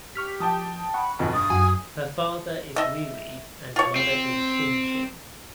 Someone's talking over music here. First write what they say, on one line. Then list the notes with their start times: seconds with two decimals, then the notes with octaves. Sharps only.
Her father is Ri Ri and mother is Shin Shin.
0.15 G4 C#6 F6 B6
0.40 F3 G5 A5 D#6
0.94 F#5 B5 C#6
1.19 B1 F2 B2 G#5
1.33 G2 D#6 A6
1.50 F#2 F#4 G#5
2.76 D#5 E5
3.76 F4 C#5
3.96 C4